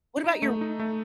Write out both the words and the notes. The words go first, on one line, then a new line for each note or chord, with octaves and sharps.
What about your
D#4
A3
D#4
A3